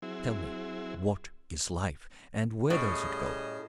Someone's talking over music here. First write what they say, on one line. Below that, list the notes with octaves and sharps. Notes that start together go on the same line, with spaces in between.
Tell me, what is life, and where does it go?
F#3 C4 E4 G#4
A2 C#3 G3 D#5